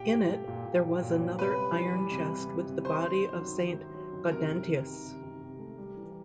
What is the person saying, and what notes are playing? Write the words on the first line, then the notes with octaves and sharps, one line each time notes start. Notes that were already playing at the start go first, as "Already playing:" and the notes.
In it, there was another iron chest with the body of Saint Gaudentius.
Already playing: A#2 G4 G5
A#2
A3
A#2
A#2
F#3
A#2
C#4
C3 B4 B5
G3
E3
G3
C3
C3
C3
C3
D#3 C5 C6
D#3
F#3
D#3
D#3
F#3
F#3
D#3
C3 A#4 A#5
D#3
C3
D#3
C3
D#3
C3
A3
G3
E3